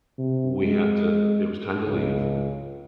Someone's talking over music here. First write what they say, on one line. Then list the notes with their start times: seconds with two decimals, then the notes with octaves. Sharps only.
we had to it was time to leave,
0.18 C3
0.62 G#3
1.87 C#2